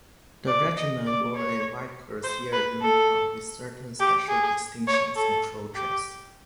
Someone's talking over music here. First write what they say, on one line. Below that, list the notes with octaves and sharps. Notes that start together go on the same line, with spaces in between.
The Regiment wore a white cuirassier uniform with certain special distinctions in full dress.
D5
D#5
D5
C#5
C5
B4
A4
G4
G#4
C#5
A4
G4